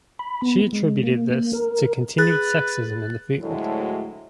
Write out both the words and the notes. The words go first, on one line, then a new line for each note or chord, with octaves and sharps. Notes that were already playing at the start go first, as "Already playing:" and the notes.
She attributed this to continued sexism in the field.
B5
B3
G#3
A#3
A#3
A#4
G#4 B4 F#6 A6
D2 A2 F#3 G#3 A3 E4